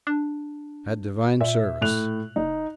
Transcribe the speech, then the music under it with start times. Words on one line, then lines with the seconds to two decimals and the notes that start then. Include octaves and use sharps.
Had Divine Service.
0.07 D4
1.41 A#2 E5
1.81 A2 F#6 F7
2.36 F#1 D#4